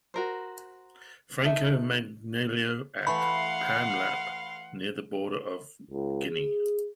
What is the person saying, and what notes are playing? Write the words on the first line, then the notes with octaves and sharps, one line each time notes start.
Franco Manganello at Pamelap near the border of Guinea.
F#4 A#4 C5
D#4 A4 E5
E3 A3 F5 F#5 B5 C6
C#2
G#4